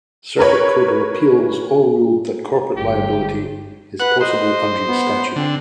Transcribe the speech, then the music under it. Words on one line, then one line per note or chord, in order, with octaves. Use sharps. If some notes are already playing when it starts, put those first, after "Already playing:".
Circuit Court of Appeals all ruled that corporate liability is possible under the statute.
A#4 B4 C#5
G1 G4
B4 F#5
C5 D#5
B3
D3 C4